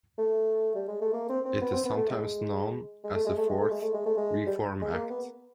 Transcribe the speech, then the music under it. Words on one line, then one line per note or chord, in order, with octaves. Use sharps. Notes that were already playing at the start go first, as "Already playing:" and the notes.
It is sometimes known as the Fourth Reform Act.
A3
G3
G#3
A3
A#3
C4
C4
B3
C4
B3
A3
G#3
G#3
A3
G#3
A3
G#3
A3
G#3
A3
G#3
A3
G#3
G3
G#3
A#3
B3